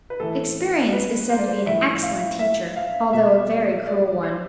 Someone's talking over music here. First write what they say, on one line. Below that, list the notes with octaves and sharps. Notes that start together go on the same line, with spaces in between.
Experience is said to be an excellent teacher, although a very cruel one.
B4
A2 E3 A4
B4
C5
D5
C5
A2 F3 E5
F5
E5
F5
B2 E5
D5
C5